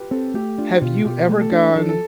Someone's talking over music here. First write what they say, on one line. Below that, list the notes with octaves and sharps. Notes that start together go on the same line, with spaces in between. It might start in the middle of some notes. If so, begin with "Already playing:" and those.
Have you ever gone
Already playing: F4 G4 B4
C4 A4
A3 G4
D4 F4
B2 F4
B2 G4
A3
A4
D4
F3 A4
A4